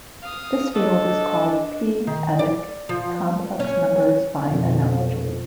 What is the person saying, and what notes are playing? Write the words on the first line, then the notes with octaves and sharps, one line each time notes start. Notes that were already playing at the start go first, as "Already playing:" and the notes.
This field is called "p"-adic complex numbers by analogy.
F5 D#6
D4 A4 D#5
D#3
D5
F3
C#4
F2 B2